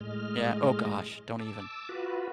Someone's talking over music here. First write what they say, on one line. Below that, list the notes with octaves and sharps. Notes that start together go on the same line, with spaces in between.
yeah, oh gosh, don't even.
A2 G#3 D#5 F6
A5 D6 E6
F4 F#4 B4